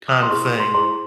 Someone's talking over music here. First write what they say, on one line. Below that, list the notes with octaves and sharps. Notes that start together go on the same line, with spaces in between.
kind of thing,
D#6
C6
E4 G#4 C5 C#6
C#6
C6
E4 G#4 C5 C6